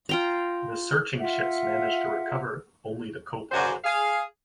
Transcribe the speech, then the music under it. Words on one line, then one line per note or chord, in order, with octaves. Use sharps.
The searching ships managed to recover only the co-pilot.
F4 G5 A#5
F4 E5 F#5
F#2 C#3 F#4 C5 D5 G#5
G#4 F5